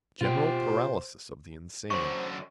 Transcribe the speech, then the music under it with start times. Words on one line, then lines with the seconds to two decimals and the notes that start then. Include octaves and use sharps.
General paralysis of the insane!
0.21 B2 F4 G4 C5
1.90 F#2 D3 C5 C6 C#6